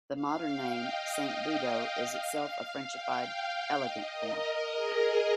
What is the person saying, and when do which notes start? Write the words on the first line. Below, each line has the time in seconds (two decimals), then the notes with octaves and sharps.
The modern name, Saint Budeaux, is itself a Frenchified "elegant" form.
0.13 F5
0.44 G5
0.74 D#5
1.05 F5
1.35 D#5
1.66 F5
2.90 G5
3.36 F5
3.81 D#5
4.13 A#4
4.43 A#4
4.73 G#4